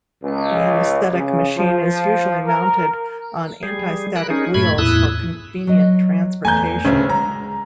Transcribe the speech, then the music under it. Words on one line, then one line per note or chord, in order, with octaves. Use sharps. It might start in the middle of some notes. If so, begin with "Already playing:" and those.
The anaesthetic machine is usually mounted on anti-static wheels for convenient transportation.
C#2
C#3
F3
A#4
G3 G#4
A#4 B5 F#6
C#4 D#4 G#4
G2 A#2 A3 B5 G#6
E2 A2 E4 D#6 E6 F#6
F#3 D#5
E2 A3 G#5 A#5 G6
D2 C#3 A3 G#4 B4
G#3 A#5